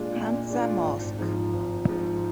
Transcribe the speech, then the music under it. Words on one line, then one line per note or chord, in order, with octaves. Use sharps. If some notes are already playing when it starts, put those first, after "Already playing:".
Hamza Mosque.
Already playing: A#2 G#3 D4 F4
A#2
G#3 D4 F4
G#1
G#2 F3
G#1
G#2 F3